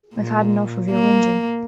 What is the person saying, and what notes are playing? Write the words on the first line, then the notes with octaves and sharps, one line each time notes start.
I've had enough of your whinging.
A#2
A#3